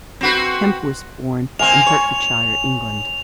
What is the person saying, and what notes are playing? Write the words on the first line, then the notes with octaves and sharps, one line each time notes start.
Kemp was born in Hertfordshire, England.
C4 F#4 B4
A#3 C4 G#5 F7
C#5